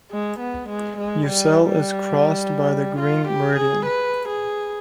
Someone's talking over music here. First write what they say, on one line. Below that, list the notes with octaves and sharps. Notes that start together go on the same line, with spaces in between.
Ussel is crossed by the Green Meridian.
G#3
B3
G#3
G#3
G3
G3
F4
G4
G#4
B4
G#4